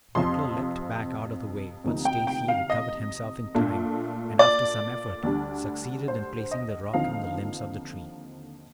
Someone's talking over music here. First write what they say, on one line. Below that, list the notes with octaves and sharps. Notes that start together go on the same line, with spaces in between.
Butler leaped back out of the way, but Stacy recovered himself in time and after some effort succeeded in placing the rock in the limbs of the tree.
F2 C3 F3 C4 C6
D2 C3 F3 A#3 D#4
G5
G5
F5
D#5
A#2 A3 D4
D5
D2 D3 G3 D4
C5
D#5
D#2 D3 F3 C4 D#4 F5